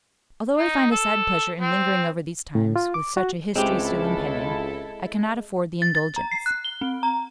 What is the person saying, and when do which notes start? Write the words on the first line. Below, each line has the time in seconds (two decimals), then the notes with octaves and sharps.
Although I find a sad pleasure in lingering over these times, with such a history still impending, I cannot afford the indulgence.
0.58 D#4
0.91 A4
1.60 C4
2.55 A2
2.76 F4
2.94 D6
3.17 F#4
3.56 C#2 G#3 C4 E4 G4 A4
5.82 A6
5.95 A6
6.16 A#5
6.31 C7
6.46 F#6
6.65 G7
6.81 C4
7.03 A#5